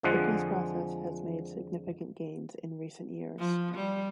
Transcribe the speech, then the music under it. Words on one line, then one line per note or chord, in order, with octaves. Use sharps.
The peace process has made significant gains in recent years.
F2 D3 F3 G#3 F#5
F3
G3